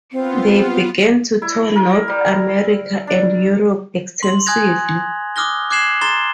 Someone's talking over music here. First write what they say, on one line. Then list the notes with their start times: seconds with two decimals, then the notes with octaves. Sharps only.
They began to tour North America and Europe extensively.
0.12 B3 C4 F4
1.42 E4
1.76 A#4
2.08 G3
3.07 D4
4.23 C6 F#7
4.46 G#5 D#6 F#6 G#6 A#6 F7
5.36 D6 D#6 F6 F#6 A#6 G7
5.70 D6 F#6 G#6 C7 E7 F#7
6.01 A#5 C6 A6 E7 G7